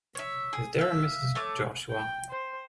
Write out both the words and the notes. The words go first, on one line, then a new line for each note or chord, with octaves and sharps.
Is there a Mrs. Joshua?
C#5 E5
G#4
E5 F5
A3 C#5 D6
G5
C5